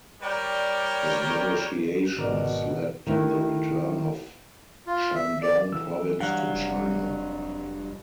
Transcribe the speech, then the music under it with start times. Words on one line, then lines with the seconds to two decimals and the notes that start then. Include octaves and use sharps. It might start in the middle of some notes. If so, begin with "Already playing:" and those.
His negotiations led to the return of Shandong Province to China.
0.22 G3 A#4 C#5 D5 G5
2.17 G#1 B2 A#4 D5
3.07 D#3 A3 E4 B4
4.87 F4
5.15 E5
5.42 D5
5.72 E3 E6
6.20 G2 F#3 F5 F#5
6.55 F1
6.76 G3